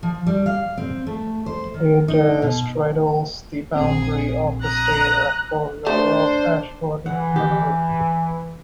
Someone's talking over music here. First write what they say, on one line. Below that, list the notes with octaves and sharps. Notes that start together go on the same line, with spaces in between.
It straddles the boundary of the state electorates of Ashford and Unley.
F3
G3
F5
C4
A3
C5
D#3
D#4
B2
A#1 C4 G#4
A#5 D#6 F#6
A3 D4 C5
E3 F#5
G4